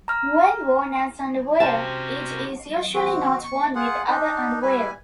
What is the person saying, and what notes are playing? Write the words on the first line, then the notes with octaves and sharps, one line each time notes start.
When worn as underwear, it is usually not worn with other underwear.
A#5 F6
C3 C4 C#4 F#4 A5
C4 F#4
C#6
F4 G#4 F#5
D4 D#4
G3 E4 B4 G#5